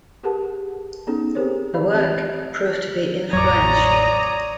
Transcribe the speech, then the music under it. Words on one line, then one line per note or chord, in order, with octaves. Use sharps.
The work proved to be influential.
G4 G#4 A#4 B4 F#5 A5
B3 C#4 D#4 G#4 A4
C4 G4 G#4 A#4 C5 C#5
D5 F5 B5
E3 C4 G4 A5
A1 F2 F#3 C#5 D5 A#5 D#6